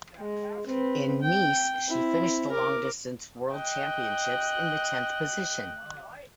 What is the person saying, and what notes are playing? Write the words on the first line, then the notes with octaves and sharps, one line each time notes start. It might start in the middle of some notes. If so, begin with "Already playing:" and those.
In Nice, she finished the long distance world championships in the tenth position.
G#3
C4 B4
G5
C4 E4
A#4 D6
D#5 G5 F#6